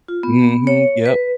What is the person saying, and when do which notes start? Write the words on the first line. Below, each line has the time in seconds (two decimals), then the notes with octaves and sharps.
Mhm, yep.
0.08 F4
0.23 B3
0.67 C#5
1.06 B4